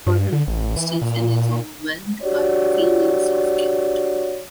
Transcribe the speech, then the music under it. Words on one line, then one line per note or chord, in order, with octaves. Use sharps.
Furthermore, Stephen is overwhelmed by feelings of guilt.
G2
D3
A1
E3
A#2
D4 F#4 G4 C#5 D5